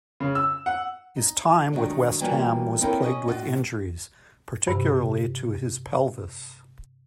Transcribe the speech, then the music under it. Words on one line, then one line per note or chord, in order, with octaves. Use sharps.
His time with West Ham was plagued with injuries, particularly to his pelvis.
C#3
E6
F#5
D#4
D#3 F#3 G#3 A3 D4
E3 G3 A#3 C#4 F4 F#4
C4 D#4 E4 A4 A#4 C#5
C#4 D#5
A2 F4 F#4
G2 C3